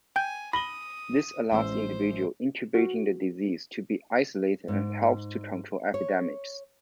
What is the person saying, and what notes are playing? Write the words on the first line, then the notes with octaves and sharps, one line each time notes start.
This allows individuals incubating the disease to be isolated and helps to control epidemics.
G5 G#5 G6
B5 D#6 A#6 F#7 G7
A1 G#3 C5 E6
F#4
G#2
C#5